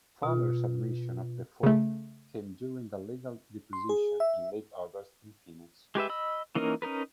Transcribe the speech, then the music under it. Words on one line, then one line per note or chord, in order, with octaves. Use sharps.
Fowler's admission of default came during a legal deposition in late August in Phoenix.
B2 F4
C#3 A3
C6
G#4
E5
G#3 G4 B4 E5
D#5 B5 E6
E3 A#3 C#4 D#4 A#4
C#4 D#4 A#4 B4